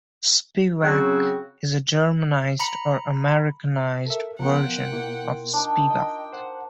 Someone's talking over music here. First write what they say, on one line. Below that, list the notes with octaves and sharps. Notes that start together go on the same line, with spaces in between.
Spivack is a Germanized or Americanized version of Spivak.
C#3 F#3 C4 C#4 F#4
A#5 B5 C#7
A4 A#4 E5
F3 B3 F4 A#4 F#5 G5
B2 A#3 E4
D4 D#4 G5
D#5
C5 F#5